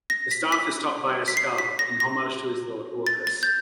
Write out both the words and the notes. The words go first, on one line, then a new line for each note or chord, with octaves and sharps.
The staff is topped by a skull, in homage to his lord, Orcus.
A#6
B6
B6
B6
C7
B6
A#6
A#6
A6
A6
G6